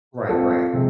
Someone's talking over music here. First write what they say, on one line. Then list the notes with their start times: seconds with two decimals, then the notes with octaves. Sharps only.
Right, right.
0.29 C4 F4 A4
0.73 C3 F3 G#3